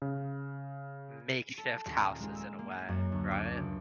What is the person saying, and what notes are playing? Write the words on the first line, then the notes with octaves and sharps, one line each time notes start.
makeshift houses, in a way, right?
C#3
A4
D#1
A#4
G#3
E6
A#3
F#2
D2
D6
C#2